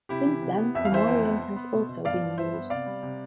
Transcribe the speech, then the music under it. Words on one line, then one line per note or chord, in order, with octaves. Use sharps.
Since then, Comorian has also been used.
C3 E4 G4
E3
C3
B3
F2 E5
F5
E3 C5 E5
F2
B3
B3
B3
B2
B2
G2 D5 F5
F3
G2 C5 E5
B3
C3 D5 F5
G3
C3